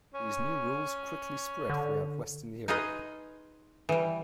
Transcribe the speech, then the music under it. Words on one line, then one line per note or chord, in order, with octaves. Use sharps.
These new rules quickly spread throughout western Europe.
C#4
D3
D#4 F4 G#4 B4 D#5
E3 G3